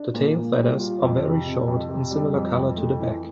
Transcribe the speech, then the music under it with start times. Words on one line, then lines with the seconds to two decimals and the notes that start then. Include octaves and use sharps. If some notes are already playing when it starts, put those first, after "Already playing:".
The tail feathers are very short and similar colour to the back.
Already playing: D4
0.14 A#2
0.36 A#2
0.58 G3
0.79 F4
1.02 F2
1.24 C3
1.46 C3
1.68 F2
1.89 C3
2.11 G3
2.34 F2
2.55 F2
2.77 A3
2.99 E3